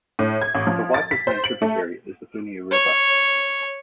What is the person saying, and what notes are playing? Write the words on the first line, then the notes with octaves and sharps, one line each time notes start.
The Waipa's main tributary is the Puniu River.
A2
G#6
A1
F3
A6
B6
C5
F#7
A3
C#5